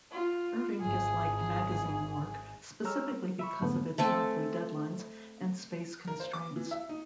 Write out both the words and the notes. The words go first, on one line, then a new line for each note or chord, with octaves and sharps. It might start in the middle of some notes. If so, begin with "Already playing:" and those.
Irving disliked magazine work, specifically because of its monthly deadlines and space constraints.
F4
G#1 G#2 G#4
G3 G#3 C#5 A#5 E6 F6
A#4
E5 B5 C#6
F2 G#2 D3 A3 B3
A3 C4 A4 G#5
A#4
C5
D6
E3
E5
D#4